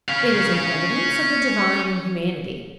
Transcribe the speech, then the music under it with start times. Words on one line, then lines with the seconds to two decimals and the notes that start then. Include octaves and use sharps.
It is an evidence of the divine in humanity.
0.09 C#4 F5